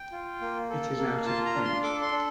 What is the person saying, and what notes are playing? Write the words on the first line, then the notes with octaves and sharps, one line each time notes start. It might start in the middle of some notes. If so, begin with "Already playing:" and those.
It is out of print.
Already playing: G5
F4
A#3
A4
A#3
F4 A5
A#5
D4
C6
A4 D6
C6
D4